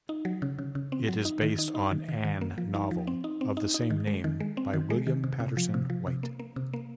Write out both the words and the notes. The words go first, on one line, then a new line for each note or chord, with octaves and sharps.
It is based on an novel of the same name by William Patterson White.
D#4
F#3
C#3
C#3
C#3
C4
F#3
D#4
D#3
D#4
D#4
D#3
D#3
D#3
A#3
F3
D#4
F3
C4
D#4
C4
D#4
D#4
D#3
G#3
D#3
G#3
C4
D#3
G#3
D#3
C3
C3
F3
C3
F3
C3
A#3
A#3
C3
A#3